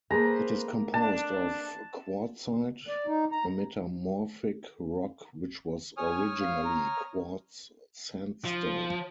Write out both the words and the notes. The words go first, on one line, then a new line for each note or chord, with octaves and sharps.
It is composed of Quartzite, a metamorphic rock which was originally quartz sandstone.
A#3 G#4 A4 B4 C5 A#5
D4 A5
D5
D#4
A#5
C#5 G#5 D#6 F6
F5
A#5
F3